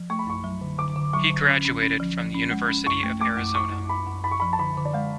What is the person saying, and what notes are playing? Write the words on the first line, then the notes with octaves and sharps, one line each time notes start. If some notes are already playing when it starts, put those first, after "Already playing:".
He graduated from the University of Arizona.
Already playing: F3
A3 C#6
B5
F#2 C#6
F#3
D3
D3 D6
D3
F#3 C#6
D3
C#4
C#4
C#4
F3
F3
C#4
G#3
C#4
F#2 C#6
A3
A3 D6
F#2
F#2 C#6
F#2
F#2 B5
F#2
F#2 B5
C#6
F3 B5
A5
D3 B5
D3
D5
G#3 F5